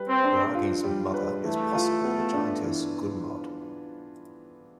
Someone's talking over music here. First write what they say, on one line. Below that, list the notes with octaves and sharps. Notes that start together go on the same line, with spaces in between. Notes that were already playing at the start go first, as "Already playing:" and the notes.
Bragi's mother is possibly the giantess Gunnlod.
Already playing: G3 B4
C4
D4
F4
G3
B4
E3 A3
F4
B3
D4
E3